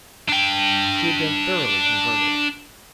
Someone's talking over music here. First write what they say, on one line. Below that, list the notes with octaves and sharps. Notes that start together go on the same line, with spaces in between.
He had been thoroughly converted.
D4 G5